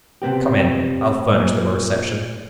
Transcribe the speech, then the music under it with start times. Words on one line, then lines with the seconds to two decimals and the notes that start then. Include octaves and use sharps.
Come in; I'll furnish them a reception.
0.22 C3 B3 C4 G4
1.30 A#2